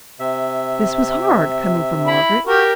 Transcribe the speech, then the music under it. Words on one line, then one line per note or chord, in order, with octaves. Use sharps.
This was hard, coming from Margaret.
C3 E5
E4 B5
F#4 G4 A#4